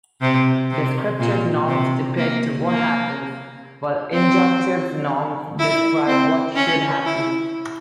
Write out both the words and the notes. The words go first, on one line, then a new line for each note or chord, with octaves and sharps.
Descriptive norms depict what happens, while injunctive norms describe what "should" happen.
C3
C3
A#2
C3
A#3
A#3
C4
E4
C4
C#4
E4